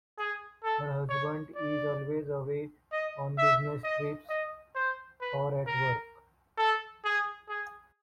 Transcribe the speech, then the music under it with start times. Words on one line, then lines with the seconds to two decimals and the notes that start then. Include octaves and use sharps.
Her husband is always away on business trips or at work.
0.18 G#4
0.64 A4
1.09 C#5
1.55 D5
2.92 D#5
3.38 E5
3.84 D#5
4.29 D#5
4.76 C5
5.21 B4
5.67 A#4
6.58 A4
7.05 G#4
7.49 G#4